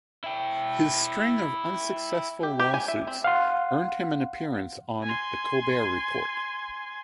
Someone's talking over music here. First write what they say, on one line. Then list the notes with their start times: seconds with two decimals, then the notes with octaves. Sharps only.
His string of unsuccessful lawsuits earned him an appearance on "The Colbert Report".
0.24 E4 G5
2.43 G4
2.59 G4
2.74 G#5
2.88 E5
3.07 C4
3.24 F5 F#5 C6
5.03 G#5 C6